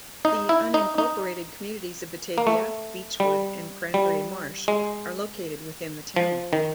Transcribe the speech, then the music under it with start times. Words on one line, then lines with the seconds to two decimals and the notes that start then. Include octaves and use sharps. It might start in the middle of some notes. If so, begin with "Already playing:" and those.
The unincorporated communities of Batavia, Beechwood, and Cranberry Marsh are located within the town.
0.25 D#4
0.49 E4
0.74 D#4
0.98 D#4
2.38 A#3
2.47 A3
3.20 G3
3.94 G3
4.68 G#3
6.16 F3
6.53 D#3